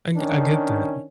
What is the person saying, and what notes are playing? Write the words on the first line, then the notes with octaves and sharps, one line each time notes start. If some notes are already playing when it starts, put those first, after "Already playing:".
I I get that.
D#3 C#4 D4